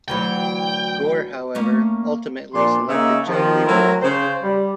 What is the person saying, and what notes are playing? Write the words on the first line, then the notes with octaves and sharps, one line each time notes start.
Gore, however, ultimately selected Joe Lieberman.
D2 E3 F#3 G5
A3 A#3 C#4
A#2 F3 D4 C6
C#3 A#3 D#4 D#5 E5
D#3 F3
F#3 A3 C4 E4 A#4
C#3 C5
G3